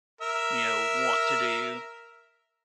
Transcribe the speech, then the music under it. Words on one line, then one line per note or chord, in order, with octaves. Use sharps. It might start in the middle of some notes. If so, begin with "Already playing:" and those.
you know, want to do.
A#4 E5